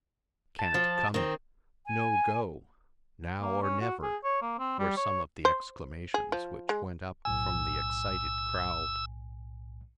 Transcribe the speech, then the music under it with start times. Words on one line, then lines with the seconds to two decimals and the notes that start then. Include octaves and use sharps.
"Can't come it!" "No go!" "Now, or never!" were some of the exclamations which went up from the excited crowd.
0.59 A5
0.74 F3
1.14 D#3 C4
1.86 G#5
3.41 A#3
3.62 C#4
3.81 F#4
4.03 G#4
4.24 C#5
4.42 A#3
4.59 C4
4.79 G3
4.97 C#5
5.45 C5
6.14 G#4
6.32 F3
6.69 G#3
7.25 B1 A2 G#5 E6